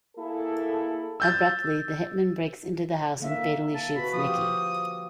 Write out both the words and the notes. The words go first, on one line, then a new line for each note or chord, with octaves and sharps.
Abruptly, the hitman breaks into the house and fatally shoots Nicki.
A#3 E4 G#4 A4
E6 G6 A6
D3 A#3 E5
A5
F#4 B4 B5
F3 F4 G4 D#6